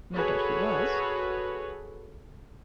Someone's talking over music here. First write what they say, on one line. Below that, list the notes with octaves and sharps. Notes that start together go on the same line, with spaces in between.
"No doubt he was."
F#4 G#4 A4 B4 C#5